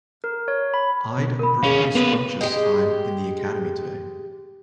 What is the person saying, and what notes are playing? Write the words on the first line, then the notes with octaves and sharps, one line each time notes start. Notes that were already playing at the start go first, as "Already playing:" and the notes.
I’d a perfectly scrumptious time in the Academy today.
A#4
C#5
B5
B2
A#4 B5
D#2 C#4 G#4 F5
A#3 B3 B4
G#3 G4